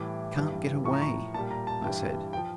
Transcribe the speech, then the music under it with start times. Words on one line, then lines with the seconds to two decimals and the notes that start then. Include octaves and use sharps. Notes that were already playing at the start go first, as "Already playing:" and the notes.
"Can't get away," I said.
Already playing: A2 E3 G3 D6
0.35 G2 E3 G3
0.84 A2 F3 C#6
0.93 A#5
1.01 C#6
1.34 A#2 A5
1.39 G3
1.51 A#5
1.67 A5
1.84 G2 E3 G3 G5
2.33 G5
2.37 F3